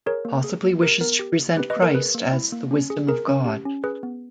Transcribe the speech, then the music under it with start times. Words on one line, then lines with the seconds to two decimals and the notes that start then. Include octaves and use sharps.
Possibly wishes to present Christ as "the wisdom of God".
0.06 G#4 A#4 C#5
0.25 A#3
0.44 G#4
0.64 A#3
0.81 G4 A#4
1.01 B3 A#4
1.19 G4
1.39 A#3
1.57 G4 B4
1.70 B4 D#5
1.77 A#3
1.82 A#4
1.95 G#4 B4
2.15 A#3
2.33 E4
2.52 A#3
2.71 C#4
2.90 G#4
3.08 G#4 A#4
3.28 C#4
3.46 G4
3.66 C#4
3.84 G#4 B4
4.03 B3